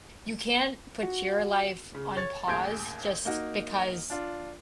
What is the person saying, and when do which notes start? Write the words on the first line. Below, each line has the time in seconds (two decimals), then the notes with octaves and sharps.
you can't put your life on pause just because,
1.03 F#4
1.95 C#3
2.17 C#5 A6
2.47 A1 D#2 G#4 G6 G#6 D7
3.25 A#3 D#4 F#4
4.10 D4 F4